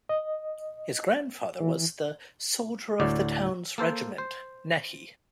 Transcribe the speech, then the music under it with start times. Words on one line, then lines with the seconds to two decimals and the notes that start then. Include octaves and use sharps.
His grandfather was the "soldier of the town's regiment" Nehy.
0.09 D#5
1.60 E3
3.00 D2 A2 D3 D5
3.78 A#3 A4 C5
4.18 C5